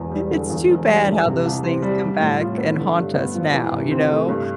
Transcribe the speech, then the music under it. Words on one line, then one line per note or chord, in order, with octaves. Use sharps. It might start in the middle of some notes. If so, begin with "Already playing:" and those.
It's too bad how those things come back and haunt us now, you know?
Already playing: E1 E2
G3
D3
E2
E1
G3
D3
C3
C2
C4
G3
G3
A2
F4
B3
D3
G2
B3
F3
E3
C3
C4
A3
G2